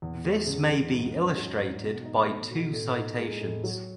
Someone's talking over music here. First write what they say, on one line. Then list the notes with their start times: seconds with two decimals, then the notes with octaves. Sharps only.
This may be illustrated by two citations.
0.02 E2
0.25 G#3
0.47 C#3
0.70 E2
0.93 G#2
1.15 C#4
1.38 F#3
1.60 G#2
1.83 B2
2.06 D#4
2.28 A3
2.51 B2
2.73 A2
2.97 D#4
3.19 G#3
3.42 A2
3.64 F#3